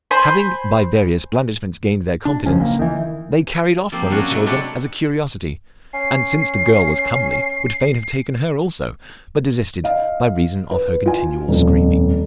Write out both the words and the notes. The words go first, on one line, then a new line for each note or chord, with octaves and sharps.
Having, by various blandishments, gained their confidence, they carried off one of the children as a curiosity, and, since the girl was comely, would fain have taken her also, but desisted by reason of her continual screaming.
C5 G#5 B5 C6
D4
F#1 C#2 F3 C#4
C#2 A#3
D#3 E3
F3 A#3 C4 G4 C5
F#3 C#4 D4 F#4
C3 F#3 G#3 A3
G#3 D4 C#5 G5 A5 B5
C#4 C7
D#5 F5
B4
F4 G#5
D#1 F2